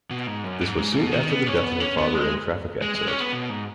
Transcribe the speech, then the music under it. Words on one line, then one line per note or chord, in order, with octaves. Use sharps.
This was soon after the death of her father in a traffic accident.
B2
G#2
F#2
G#2
G#2
B2
D#3
B3
C#4
B3
C#4
B3
G#3
G#3
G#3
C#4
B3
B2
G#2